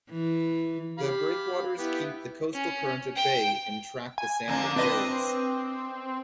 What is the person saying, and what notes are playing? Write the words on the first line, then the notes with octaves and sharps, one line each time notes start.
The breakwaters keep the coastal current at bay and trap the sand it carries.
E3
G4 F5 B5
B3 E4 G4
C#4
G5
G#5
F2 D3 A#3
C4 D4 B4 D#5